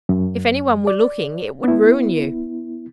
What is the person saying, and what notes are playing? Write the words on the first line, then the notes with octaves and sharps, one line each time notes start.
If any one were looking, it would ruin you.
F#2
D5
B3 E4